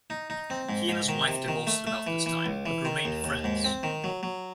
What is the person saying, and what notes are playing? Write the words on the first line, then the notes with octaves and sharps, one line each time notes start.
He and his wife divorced at about this time but remained friends.
D#4
D#4
C4
G#2
G#2
D#3
C3
D#3
A3
A3
E3
E3
C#2
E3
D#3
D#2
D#2
G#2
C4
D#3
F#3
F#3